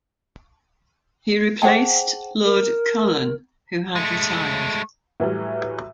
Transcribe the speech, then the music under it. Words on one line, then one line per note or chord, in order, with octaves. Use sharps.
He replaced Lord Cullen, who had retired.
G#4 C5 F#5 G5 A5
A#4
G#3 A3
A2 E3 F#3 G3